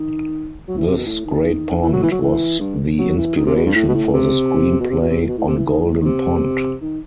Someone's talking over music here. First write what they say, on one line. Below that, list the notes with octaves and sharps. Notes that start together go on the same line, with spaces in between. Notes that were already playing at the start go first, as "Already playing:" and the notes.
Thus Great Pond was the inspiration for the screen play "On Golden Pond".
Already playing: D#3
F#3
E3
C3
B2
A2
D#3
E3
F#3
E3
F#3
E3
G2
F#3
E3
D#3
C3
B2
G2
A2
B2
A2
C3
B2
C3
B2
C3
A2
B2
A2
C3
E3
D#3
A2
D#3
C3
D#3